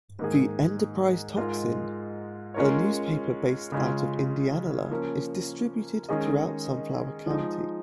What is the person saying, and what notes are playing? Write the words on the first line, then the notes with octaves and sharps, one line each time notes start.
"The Enterprise-Tocsin", a newspaper based out of Indianola, is distributed throughout Sunflower County.
G#2 D#3 A#3 D#4 G#4
G#2 G#3 F4 A#4 D#5
G#3 C#4 F4 A#4 C#5
C#3 G#3 C#4 F4
F3 A#3 C#4
D#3 G#3 C#4 G#4 D#5
F3 G#3 D#4